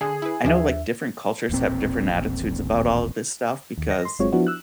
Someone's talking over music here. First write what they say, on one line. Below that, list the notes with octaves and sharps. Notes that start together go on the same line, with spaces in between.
I know, like, different cultures have different attitudes about all of this stuff because,
D3 G#4
E4 B4
D#2 F3 D4 E5
D#1 A1 A#2 C4
D#2
D#5 A#6
C6
G1 F#3 G#3 C4 F4 C#5
F3 B3 D4 E4 F#4
E6 F#6